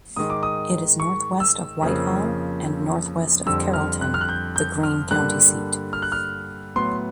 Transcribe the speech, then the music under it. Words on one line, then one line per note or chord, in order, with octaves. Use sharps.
It is northwest of White Hall and northwest of Carrollton, the Greene County seat.
G#2 D#3 G#3 D#6
D6
D#6
C#6
E6
F2 C#3 F3 A#3
F2 D3 G3 E6
F6
F#6
F6
F#6
G6
G6
F6
G2 D3 G3 A#3 F#6
F6
F#6
F6
A2 F#3 B3 C6